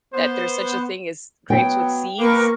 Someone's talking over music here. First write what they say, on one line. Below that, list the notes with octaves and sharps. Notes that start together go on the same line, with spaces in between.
that there's such a thing as grapes with seeds
B3 C5
F#3 B3 G5
A#3 A#4 B4 F5 C#6 D6